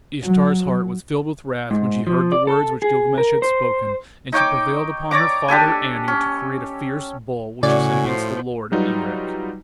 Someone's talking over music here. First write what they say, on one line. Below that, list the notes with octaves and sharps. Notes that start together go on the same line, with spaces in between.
Ishtar's heart was filled with wrath when she heard the words which Gilgamesh had spoken, and she prevailed upon her father Anu to create a fierce bull which she sent against the lord of Erech.
F#3
G#2
F3
D5
A4
G#4
A#4
C5
D#4 C#5 G5 D6
C#5 D5 A#5 D6
D4 G4 A4 G#5
C#4
A2 C#3 F#4 D5 G#5
F3 C6
F#3 G3 D#4 F4 F#4 B4